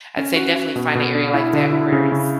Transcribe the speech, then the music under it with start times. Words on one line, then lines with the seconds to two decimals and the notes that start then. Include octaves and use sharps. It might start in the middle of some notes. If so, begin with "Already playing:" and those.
I'd say definitely find a area like that where it's
0.17 C#4
0.36 F#4
0.56 F#4
0.76 B2
0.95 B2
1.15 D4
1.34 E4
1.53 D3
1.73 E4
1.92 C#3
2.12 C#3